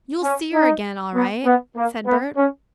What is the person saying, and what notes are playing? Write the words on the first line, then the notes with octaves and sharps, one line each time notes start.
"You'll see 'er again all right," said Bert.
C#4
D#4
B3
B3
A#3
B3
C#4